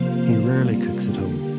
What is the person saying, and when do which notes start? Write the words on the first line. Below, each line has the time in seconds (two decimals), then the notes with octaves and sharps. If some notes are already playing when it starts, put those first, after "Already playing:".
He rarely cooks at home.
Already playing: C3 F3 A#3 C5 F5
0.36 C3 G3 A#3 F4
1.03 D3 A#3 G4